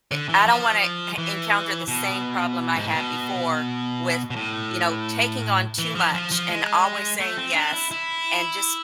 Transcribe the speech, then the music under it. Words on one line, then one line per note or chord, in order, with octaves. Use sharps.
i I don't wanna heh encounter the same problem I had before with, you know, taking on too much, and always saying, "Yes." And just,
D3
E3
F3
E3
B2
G#2
A2
B2
B2
A2
E3
F3
F3
F3
G#3
A3
C4
D4
E4
E4